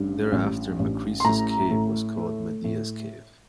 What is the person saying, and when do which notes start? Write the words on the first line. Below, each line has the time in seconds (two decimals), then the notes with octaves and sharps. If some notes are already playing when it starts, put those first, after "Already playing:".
Thereafter Macris's cave was called "Medea's Cave".
Already playing: A1 G2
0.32 A1
0.79 A1
1.20 C6
1.24 A2 A#5
1.71 A2
2.17 A3
2.64 A2